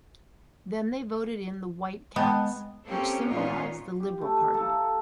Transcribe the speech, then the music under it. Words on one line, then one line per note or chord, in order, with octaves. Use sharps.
Then they voted in the white cats, which symbolized the Liberal Party.
G#3 B3 D#5 G5 A5
A#3 C4 C#4 G4 A4 C#5
A#2 G#3 B3 C#4 D#4 F4
G4
A3
A4 F5 A#5